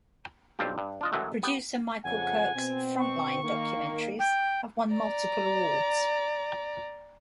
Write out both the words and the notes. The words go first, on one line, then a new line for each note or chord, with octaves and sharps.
Producer Michael Kirk's "Frontline" documentaries have won multiple awards.
B1 G2 C4 F4 G4
G2
D4 F4 D#5
F#2 A2 E3 F#3 G#3 A3
B3 G4
F2 C#3 F#5 G#5
B2 C4
C#6
D#3 A#3
G5
D5 A#5